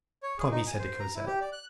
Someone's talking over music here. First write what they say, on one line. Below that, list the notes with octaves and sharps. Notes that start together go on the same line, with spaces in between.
"Come." he said to Cosette.
C#5
G#4
D#4
G#5
C5
A#5
E4
G4
D5
F#6